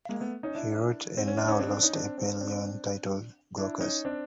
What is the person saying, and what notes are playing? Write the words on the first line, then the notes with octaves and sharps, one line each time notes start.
He wrote a now lost epyllion titled "Glaucus".
G#3 A#3
A3 B3
C#4 D#4
D4 E4
C4
C#4
D4
C#4 D#4
C4 D4
C4 D4
C#4 D#4
C4 D4
C4 D4
C4 D4
D4 E4
C#4 D#4
C4 D4